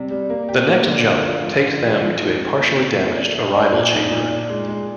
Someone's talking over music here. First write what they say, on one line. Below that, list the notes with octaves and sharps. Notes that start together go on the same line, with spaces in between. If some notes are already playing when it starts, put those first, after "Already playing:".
The next jump takes them to a partially damaged arrival chamber.
Already playing: C3 G3
G3
A#3
G4
A#3
D3
D4
F4
F3
D3
F3
F3
D#4
D#4
A#3
C3
A#3
D4
D4
D4
A#2
D#4
A#2
D4
G#3
G#3